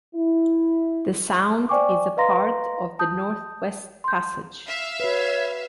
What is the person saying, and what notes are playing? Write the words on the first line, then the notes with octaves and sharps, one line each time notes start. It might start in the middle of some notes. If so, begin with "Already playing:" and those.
The sound is a part of the Northwest Passage.
E4
C5 D5 G5 G#5 C#6 D6
B4 D#5 F5 A#5 C6 A#6
A5 D#6 G6
C6 G6
E5 F5
F#4 B4 C#5